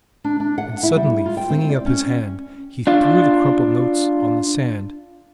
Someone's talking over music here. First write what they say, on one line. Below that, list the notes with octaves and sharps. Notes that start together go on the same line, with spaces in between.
And suddenly flinging up his hand, he threw the crumpled notes on the sand.
D4
D4
F#5
E4
G3
F4
G5
C4
D5
C#4
D4 F4